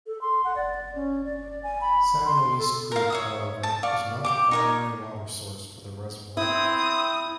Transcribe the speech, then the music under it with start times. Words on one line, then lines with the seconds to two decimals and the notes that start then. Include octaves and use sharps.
San Luis Creek, however, is not the primary water source for the reservoir.
0.07 A4
0.21 C6
0.44 F#5
0.56 D5
0.95 C#4
1.25 D5
1.63 G#5
1.81 B5
2.25 C6
2.59 A4
2.92 A#4 F5
3.10 C#5 E5 D#6
3.63 A5
3.83 D5 F5 C#6
4.25 G4 D6
4.51 D#4 A#4 C#5
6.37 C4 E4 D#6